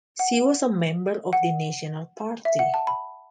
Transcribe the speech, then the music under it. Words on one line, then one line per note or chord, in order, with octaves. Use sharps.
She was a member of the National Party.
F#5
F#5
E5
F#5
A5
B5